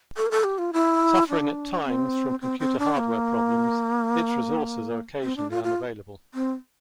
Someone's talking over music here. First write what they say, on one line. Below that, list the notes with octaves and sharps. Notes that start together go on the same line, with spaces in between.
Suffering at times from computer hardware problems, its resources occasionally are unavailable.
A4
A#4
A4
G4
F4
E4
D4
C4
C4
C4
D4
A#3
C4
D4
F4
F4
C4